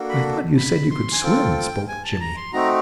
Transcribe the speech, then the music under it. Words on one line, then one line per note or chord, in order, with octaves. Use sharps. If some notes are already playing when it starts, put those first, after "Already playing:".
"I thought you said you could swim," spoke Jimmie.
Already playing: A#3 D4 F#4 A4
B5
B5
C6
G#5
C4 F4 A4 G5
G#5
A5
A#5
C6
A3 C4 D#4 F#4 A#5